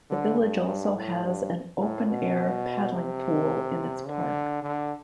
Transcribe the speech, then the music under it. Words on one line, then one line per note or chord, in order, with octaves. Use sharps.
The village also has an open-air paddling pool in its park.
D3
G2
G2
A2
G2
A2
B2
C3
D3
D3